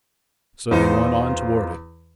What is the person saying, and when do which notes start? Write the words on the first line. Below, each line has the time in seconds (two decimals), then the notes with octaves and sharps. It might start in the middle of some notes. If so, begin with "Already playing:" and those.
So they went on toward it.
0.71 E2 D#4 F4 C5